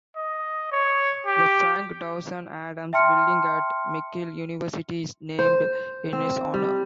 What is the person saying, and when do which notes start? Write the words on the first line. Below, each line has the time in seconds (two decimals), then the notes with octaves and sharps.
The Frank Dawson Adams Building at McGill University is named in his honor.
0.16 D#5
0.72 C#5
1.27 G4
2.93 E5 G5 A5 C6 F6 C#7
5.39 C5
6.13 C4
6.54 G3